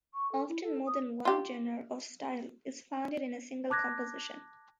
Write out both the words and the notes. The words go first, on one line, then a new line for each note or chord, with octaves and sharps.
Often more than one genre or style is found in a single composition.
C#6
A4
E4
A4
D#6
F4 G4
A5 D6 F#6 G#6 A#6